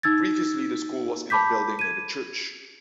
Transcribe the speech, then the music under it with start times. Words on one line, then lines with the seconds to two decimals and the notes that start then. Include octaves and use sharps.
Previously, the school was in a building near the church.
0.03 D#4 E6 G#6 A6
1.30 A5 B5 D6 G6 B6
1.79 G#6 D#7